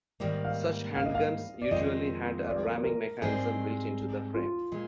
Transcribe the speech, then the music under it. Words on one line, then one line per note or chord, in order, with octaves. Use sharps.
Such handguns usually had a ramming mechanism built into the frame.
G#2 D#3 G3 A#3 D5
F5
F5
D#5
F5
D5
F2 D#3 G#3 C4 F4 D#5
D5
A#4
A#4
G#2 G3 C4 D#4 G#4
F4
A#2 G#3